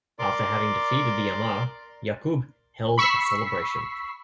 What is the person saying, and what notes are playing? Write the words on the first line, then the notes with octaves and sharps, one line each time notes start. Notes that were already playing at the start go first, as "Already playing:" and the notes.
After having defeated the Ammar, Ya'qub held a celebration.
A#4 D5 C6 D6
B5 C#6 E6 B6 C7